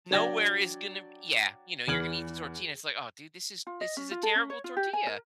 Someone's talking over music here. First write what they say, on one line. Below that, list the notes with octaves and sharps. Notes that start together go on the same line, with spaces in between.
Nowhere is gonna yeah. You know, you're gonna eat the tortilla, it's like, "Oh, dude, this is this is a terrible tortilla."
F#3 D4 D5 G5 G#6 A#6
E2 E3 F6 G#6 F#7
F4
D#5
C#4
F4
A4
C#4
C#5
F4
G4
G#5
A#4